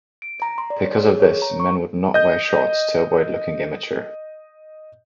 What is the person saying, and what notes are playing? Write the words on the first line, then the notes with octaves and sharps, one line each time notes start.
Because of this, men would not wear shorts to avoid looking immature.
D7
A#5
C6
D5
C#5
G#4
C#5
A#5
C#6
D#5 G6